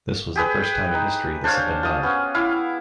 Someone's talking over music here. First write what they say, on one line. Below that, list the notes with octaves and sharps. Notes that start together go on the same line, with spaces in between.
This was the first time in history this had been done.
G4 G#4 B4
D#4
D4 C5 C#5 F5
F4 D#6
B3 C#4
E4 F5 D6